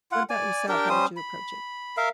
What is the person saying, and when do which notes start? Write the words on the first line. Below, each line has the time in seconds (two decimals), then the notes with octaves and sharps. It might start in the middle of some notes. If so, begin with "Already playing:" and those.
What about yourself? How would you approach it?
0.12 F4 F#5
0.30 D5 G#5
0.69 D4 G4 A#4 G5
0.89 G3 C#4 C5 D#6
1.17 B5
1.97 A#4 E5 F5